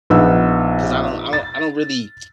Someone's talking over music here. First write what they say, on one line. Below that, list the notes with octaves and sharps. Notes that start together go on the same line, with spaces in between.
'cause I don't I don't I don't really
A#1 B3 D#4 E6
A6